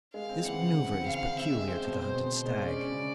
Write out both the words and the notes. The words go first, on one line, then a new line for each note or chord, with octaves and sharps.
This manoeuvre is peculiar to the hunted stag.
G#3 F5
C4
E3 F#5
C#3
E3
C4
C#3 F5
C#3
C4 E5
G#3
C4 C5
B2
C4 C5
B2
B2
G#3
C#4 D5
C#4
C#3